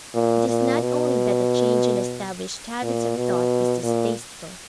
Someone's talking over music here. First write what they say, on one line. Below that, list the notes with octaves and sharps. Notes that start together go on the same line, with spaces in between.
It is not only that a change in established habits of thought is distasteful.
A#2
A#2
B2
A#2
B2
A#2